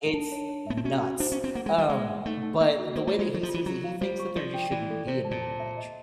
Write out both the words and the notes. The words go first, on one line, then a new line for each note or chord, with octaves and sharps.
it's nuts, um, but the way that he sees it, he thinks that there, just, shouldn't be a minimum wage.
D4 A5
C#5
C#5
B3 E5
C4
C#4 F#4
F#4
D4 C5
C#4
C5
C4
A#3 F#5
G#3
F#5
G3
G#3 F#5
F#5
A3 D#4
D#4
A#3 D#4
F#4
A#3 C5
A3
F4
G#3
F#3 A4
F3
F4
E3
F#3 A#5
F5
G3 C5
C#6
F3 D5
G5
E3 D5
A4
C3 C5
A5
A#2
A5
E5
D#5